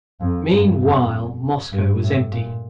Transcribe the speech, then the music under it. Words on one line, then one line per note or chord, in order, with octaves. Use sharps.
Meanwhile Moscow was empty.
F2
G2
F2
G2
A2
A#2